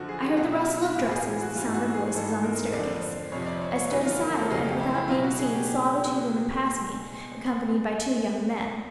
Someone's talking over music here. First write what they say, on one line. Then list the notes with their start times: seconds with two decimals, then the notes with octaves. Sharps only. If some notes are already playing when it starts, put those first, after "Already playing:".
I heard the rustle of dresses, the sound of voices, on the staircase. I stood aside, and, without being seen, saw the two women pass me, accompanied by two young men.
Already playing: F#2 D3 F3 F#4
0.09 G#4
0.23 G4
0.37 B2 F#3 F#4
0.52 F4
0.67 E4
0.81 F#4
0.96 A2 E3 G3 G4
1.11 G#4
1.41 F#4
1.55 G3 F4
1.58 G#2 E3
1.74 F#4
1.94 G#4
2.14 G#2 E3 G3 A4
2.43 A#4
2.73 F2 D3 F3 D5
3.32 F2 C3 F3 C#5
3.46 D5
3.62 C#5
3.76 C#5
3.91 E2 C3 D#3 F#3 B4
4.05 F4
4.21 A#4
4.35 A4
4.50 F2 C#3 F#3 G#4
4.64 G4
4.80 E4
4.95 E4
5.08 B2 F#3 F4
5.24 F#4
5.39 G#4
5.54 G4